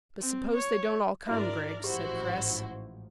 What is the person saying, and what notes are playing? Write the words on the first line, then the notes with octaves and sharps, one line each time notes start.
"But suppose they don't all come, Griggs?" said Chris.
C4
C#5
G#2 D4 E4 F#4 A#4 D5 E5
A1 G#2 F3 E4 F#4 G4 C5